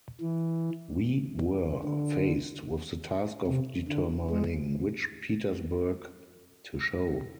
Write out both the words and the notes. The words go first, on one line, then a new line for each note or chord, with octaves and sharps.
We were faced with the task of determining which Petersburg to show.
E3
D3
C3
D3
G#3